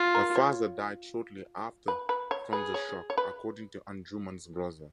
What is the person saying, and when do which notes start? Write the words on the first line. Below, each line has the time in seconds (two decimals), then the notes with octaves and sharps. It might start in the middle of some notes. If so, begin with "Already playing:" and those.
Her father died shortly after from the shock, according to Anjuman's brother.
Already playing: F4
0.15 A#4
0.36 C#5
1.88 B4
2.09 B4
2.31 C#5
2.52 G#4 B4
2.74 C#5
3.10 C#5
3.18 B4